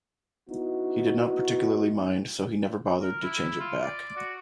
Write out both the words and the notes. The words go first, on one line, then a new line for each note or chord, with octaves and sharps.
He did not particularly mind, so he never bothered to change it back.
B3 D#4 E4 F#4
A#4
E4
F4
D5
F#4